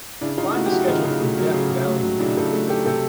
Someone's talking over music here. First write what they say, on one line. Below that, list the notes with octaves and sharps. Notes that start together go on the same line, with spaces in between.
Find the schedule for Death Valley Manhunt.
C#3 D4 E4
C#3 D#4 F4
A3 E4 F#4
G4
F#3 E4 F#4
C#3 D#4 F4
C#3
A3
F#3
C#3
C#3
A3
F#3
C#3 D4 E4
C#3 G4 A4
A3
F#3 G4 A4
C3 G4 A4